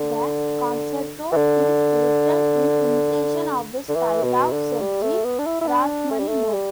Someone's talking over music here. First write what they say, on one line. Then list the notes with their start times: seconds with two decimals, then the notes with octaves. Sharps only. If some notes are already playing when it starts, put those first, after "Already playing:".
The concerto is written in imitation of the style of Sergei Rachmaninoff.
Already playing: D3
1.32 E3
1.36 D3
3.89 D3
3.95 E3
4.23 B2
4.52 D3
4.81 G3
5.02 A3
5.24 B3
5.39 D4
5.46 E4
5.61 E4
5.67 D4
6.11 A3
6.19 G3
6.28 A3
6.53 G3